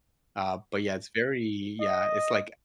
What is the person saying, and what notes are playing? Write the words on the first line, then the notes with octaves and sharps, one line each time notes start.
Uh, but, yeah, it's very yeah, it's like
D#5